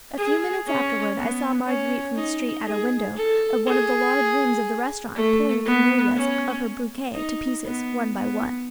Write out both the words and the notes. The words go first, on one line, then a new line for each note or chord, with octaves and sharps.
A few minutes afterward I saw Marguerite from the street at a window of one of the large rooms of the restaurant, pulling the camellias of her bouquet to pieces, one by one.
G#4
C#4
B3
C#4
D#4
G#4
A4
G#4
A3
B3
C#4
D#4
B3
B3